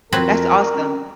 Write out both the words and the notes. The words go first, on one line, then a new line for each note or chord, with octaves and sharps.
That's awesome.
F2 F#3 C4 A#4 B4
C#4